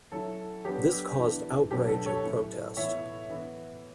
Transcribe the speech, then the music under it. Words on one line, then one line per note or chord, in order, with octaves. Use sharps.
This caused outrage and protest.
F#3 C#4 E4 A4
F#3 B3 D4 G4
E3 B3 D4
B2 F#3 B3 D4 G4
A4
A4 C#5
A2 F#3 C#4 E4
A2 E3 B3 E4 C#5 E5
E3 B3 E4